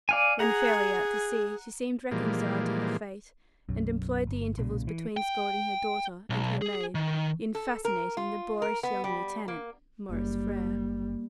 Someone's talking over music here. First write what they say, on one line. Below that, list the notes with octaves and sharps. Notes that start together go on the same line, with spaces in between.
When fairly out to sea she seemed reconciled to her fate, and employed the intervals between scolding her daughter and her maid, in fascinating the boorish young Lieutenant, Maurice Frere.
D5 F5 G#5
G#4 F#5 A#5
A#2 E3 F3 G3 G#3 A#3
B1 F#2
G1
B1 A#2 C#3
E3
G5
B1
G#4
D#3
A4
A#4
F4
A#4
B3
G3
A#3
F#1 G3 A#3